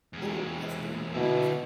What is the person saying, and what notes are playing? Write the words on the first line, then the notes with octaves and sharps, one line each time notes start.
All have been removed.
E2 G#3
B2 D3 E4